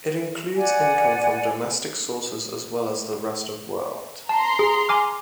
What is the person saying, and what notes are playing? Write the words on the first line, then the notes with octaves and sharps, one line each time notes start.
It includes income from domestic sources as well as the rest of world.
D5 F#5 G#5
A5 A#5 C6
G#4
G#5 D6 F6